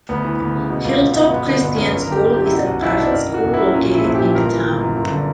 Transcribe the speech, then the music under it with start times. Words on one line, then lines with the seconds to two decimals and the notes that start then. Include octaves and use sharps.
Hilltop Christian School is a private school located in the town.
0.09 D2 B3
0.24 E3
0.40 D2
0.55 C#3
0.70 B2
0.85 C#2
1.01 C#2
1.16 B2
1.30 G1 B3
1.46 D3 B3
1.61 G1 B3
1.76 F#2 C#4
1.92 G1
2.01 A#4
2.06 D3
2.12 G4
2.22 G1
2.32 F#2 G4
2.46 E4
2.52 B2 F#4
2.67 B1 F#4
2.82 B1 E4
2.98 B2 D4
3.13 F#1 A#4
3.29 E3
3.34 F#4
3.43 F#1
3.54 E4
3.59 F#2
3.74 A#2 C#4
3.90 A#1 E4
4.04 A#1
4.15 G4
4.20 A#2
4.35 G1 A#4
4.50 E3
4.66 G1
4.80 F#2
4.96 G1
5.11 D3